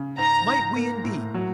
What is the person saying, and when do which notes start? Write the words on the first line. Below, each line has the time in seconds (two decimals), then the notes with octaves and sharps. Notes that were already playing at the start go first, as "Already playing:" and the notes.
Might we indeed!
Already playing: C#3
0.17 G#2 A#5
0.47 G#2
0.76 A#3
1.04 A2
1.34 F#3